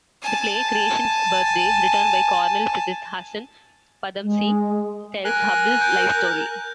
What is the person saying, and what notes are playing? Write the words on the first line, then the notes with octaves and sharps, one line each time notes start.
The play "Creation's Birthday", written by Cornell physicist Hasan Padamsee, tells Hubble's life story.
G#5 A5
G#3
A#4 G#5 F#6
G6